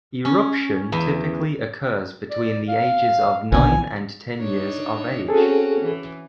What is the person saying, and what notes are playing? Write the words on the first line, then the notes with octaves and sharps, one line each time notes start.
Eruption typically occurs between the ages of nine and ten years of age.
C#4
E2
D5
F5
A#1 B2 D3 G#5
D4 D#4 C#5
C4 C#4 F#4 G#4 A4
E3